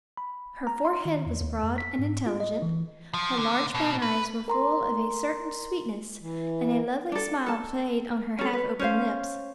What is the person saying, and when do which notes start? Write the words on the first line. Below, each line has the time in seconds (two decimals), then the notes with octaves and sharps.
Her forehead was broad and intelligent, her large brown eyes were full of a certain sweetness, and a lovely smile played on her half-opened lips.
0.17 B5
0.67 A#5
0.85 C6
1.05 D#3
1.26 E2
1.41 D#2
1.63 F2
1.78 B6
1.99 G#2
2.27 F4
2.40 D#5
2.62 E3
3.14 F3
3.38 D3
3.75 B2
4.02 B4
4.48 A#4 A#5 C6
6.22 E3
7.12 D4 A4
7.46 A4 A5
8.39 C#4 A4
8.53 B4
8.79 C#4 C5 F5